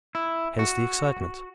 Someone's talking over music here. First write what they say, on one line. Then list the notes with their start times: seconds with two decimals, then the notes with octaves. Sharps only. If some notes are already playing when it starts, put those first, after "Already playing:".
Hence the excitement.
0.15 E4
0.59 F#4